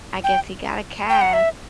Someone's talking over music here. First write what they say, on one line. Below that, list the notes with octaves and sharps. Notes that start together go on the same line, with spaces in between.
I guess he got a cab
G5
G5
F#5
E5